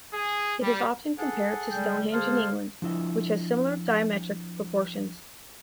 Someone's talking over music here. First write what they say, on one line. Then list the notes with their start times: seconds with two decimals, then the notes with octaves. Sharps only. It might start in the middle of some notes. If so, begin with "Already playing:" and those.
It is often compared to Stonehenge in England, which has similar diametric proportions.
0.13 G#4
0.62 G3
1.18 G#4 A4 F#5
1.71 D3 G3 G#3 G5
2.13 G#4 A4 C5 F5
2.82 F3 D4 E4 D#5